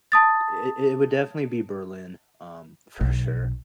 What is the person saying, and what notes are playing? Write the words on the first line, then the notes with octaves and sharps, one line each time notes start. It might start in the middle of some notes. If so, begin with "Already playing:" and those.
It it would definitely be Berlin, um, for sure.
A5 D#6 A6
B1